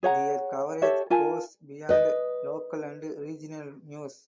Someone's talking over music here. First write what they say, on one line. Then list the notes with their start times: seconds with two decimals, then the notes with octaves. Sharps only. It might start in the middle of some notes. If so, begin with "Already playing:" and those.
Their coverage goes beyond local and regional news.
0.03 G#4 C#5 F#5 A#5
0.82 G4 A4 C#5 E5
1.10 F4 A#4 G#5 A5
1.89 B4 D#5